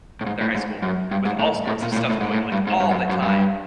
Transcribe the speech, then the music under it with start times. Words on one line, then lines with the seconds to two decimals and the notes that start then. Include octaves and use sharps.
their high school with all sorts of stuff going, like, all the time,
0.21 A2
0.26 G#2
0.41 A2
0.55 G#2
0.82 F#2
1.11 G2
1.25 G#2
1.39 A2
1.67 A2
1.82 A#2
1.92 A2
1.96 A#2
2.10 A2
2.21 G#2
2.31 A2
2.52 G2
2.67 G#2
2.80 G2
2.91 F#2
3.09 F#2
3.22 G2